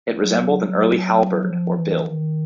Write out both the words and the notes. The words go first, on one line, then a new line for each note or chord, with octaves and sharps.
It resembled an early halberd or bill.
F#3
F3
E3
D#3